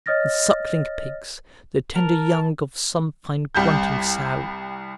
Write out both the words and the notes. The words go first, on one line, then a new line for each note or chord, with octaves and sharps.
And suckling pigs, the tender young Of some fine grunting sow!
C#5 D#5 D#6 F6 A6 A#6
A#4 A5
C2 G3 G6